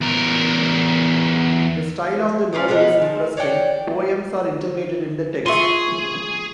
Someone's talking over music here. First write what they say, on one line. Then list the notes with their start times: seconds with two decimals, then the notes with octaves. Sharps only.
The style of the novel is interesting: Poems are integrated in the text.
0.01 E2 A#4
2.53 C#4 F4 D5 G5
2.68 G#3 A3 B3 D#4
3.02 F3
3.37 C#5 D5 F#5 G5
5.46 F4 G#4 E5 C6 C#6 D#7